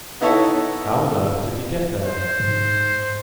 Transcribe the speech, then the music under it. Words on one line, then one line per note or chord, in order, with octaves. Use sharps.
How on earth did he get there?
B3 D#4 E4 A4 C#5 E5
C5
G#2